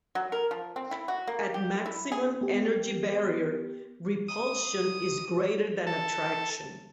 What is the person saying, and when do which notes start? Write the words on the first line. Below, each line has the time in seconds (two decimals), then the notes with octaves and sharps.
At maximum energy barrier, repulsion is greater than attraction.
0.15 F#3
0.32 A#4
0.51 F3
0.76 C4
0.91 E4
1.08 F#4
1.27 A#3
1.54 G4
1.86 E4
2.12 G#4
2.41 B3 G4
4.28 D#6
5.87 A4